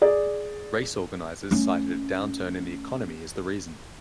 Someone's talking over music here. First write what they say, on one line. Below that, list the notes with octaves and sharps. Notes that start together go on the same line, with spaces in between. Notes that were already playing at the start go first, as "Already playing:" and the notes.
Race organizers cited a downturn in the economy as the reason.
G#4 D5
A3 C#4